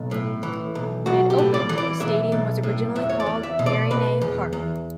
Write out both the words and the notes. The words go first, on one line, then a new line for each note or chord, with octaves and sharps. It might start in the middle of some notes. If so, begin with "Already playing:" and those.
When it opened the stadium was originally called Harringay Park.
Already playing: B1
A2
E3
B1
B1 F#4
G4
A2
D5
E3
D5
B1 E5
B1
A2
E2 E5
C#5
D5
E2
E5
B2
D5
B2 B4
E2
E2